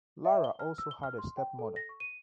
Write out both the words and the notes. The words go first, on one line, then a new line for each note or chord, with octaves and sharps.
Lara also had a stepmother.
E5
G7
F6
E6
G7
F6
C6
G5
A4
A#6
C#6
D#7